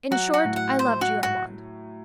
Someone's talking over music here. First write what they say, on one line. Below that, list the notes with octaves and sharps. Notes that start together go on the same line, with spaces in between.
In short, I loved you, Armand.
F#3 F#4
F#4
A2
F#5
C5
F#4
F#4